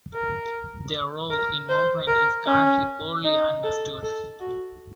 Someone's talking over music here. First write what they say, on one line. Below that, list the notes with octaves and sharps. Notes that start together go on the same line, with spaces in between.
Their role in movement is currently poorly understood.
A#4
A#4
C5
A#4
C#4
D#4
A4
A4
F#4